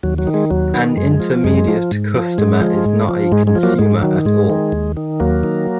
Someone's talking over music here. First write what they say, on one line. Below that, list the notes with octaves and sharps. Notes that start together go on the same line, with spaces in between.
An intermediate customer is not a consumer at all.
D#2 F#3
F#3
D#3
G#3
D#2 F#3
D#3
F#2 G#3
F3
F#2 G#3
F3
G#2
F3
G#2 G#3
F3
G#2
F3
G#2 G#3
G#3
F3
F#3 A#3
G#2 G#3
D#3 F#3
G#2 G#3
D#3
D#2
D#3
D#2 F#3 A#3
D#3